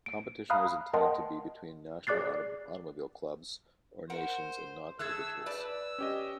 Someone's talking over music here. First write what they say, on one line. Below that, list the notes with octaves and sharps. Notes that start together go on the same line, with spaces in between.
Competition was intended to be between national automobile clubs, or nations, and not individuals.
D7
F5 A#5 B5 D#6 F6 F#6
A#4 D#5 F#5 G5 A5 C6
G#4 D5 D6 F#6 A6 C7
A#4 C5 F#5
A3 G#4 A4 E6 F#6 G#6
B4 D5 A5 E6
C#4 G4 D#5